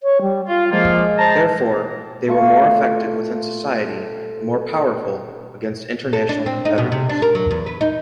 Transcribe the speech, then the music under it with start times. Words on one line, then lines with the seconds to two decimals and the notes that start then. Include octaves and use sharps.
Therefore, they were more effective within society and more powerful against international competitors.
0.03 C#5
0.22 G3
0.48 F4 F5
0.71 F3 G#3 A#3 F4
1.18 C5 A5 A#5
2.28 A3 F4 C#6
6.13 A4
6.29 D4
6.46 C4
6.65 D#4
6.78 B2
6.92 C3
7.09 D4
7.22 A#4
7.35 F#3
7.51 E2
7.66 B4
7.81 D#4